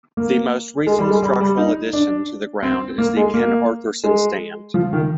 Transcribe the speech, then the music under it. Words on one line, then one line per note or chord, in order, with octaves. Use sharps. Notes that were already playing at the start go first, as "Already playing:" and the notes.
The most recent structural addition to the ground is the Ken Arthurson Stand.
A#3
G#3
G3
G#3
G3
G3
D#4
D4
C4
A#3
G#3
A#3
G#3
F3
D#3